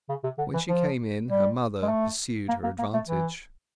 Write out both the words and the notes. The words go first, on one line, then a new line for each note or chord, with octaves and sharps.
When she came in her mother pursued her advantage.
C#3
C3
D3
E3
F3
G3
G#3
A3
A#3
A#3
A#3
A3
E3